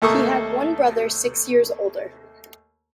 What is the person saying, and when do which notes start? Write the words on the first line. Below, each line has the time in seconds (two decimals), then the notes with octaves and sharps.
He had one brother six years older.
0.02 D#2 A3 A#3 A4 C#6 D#6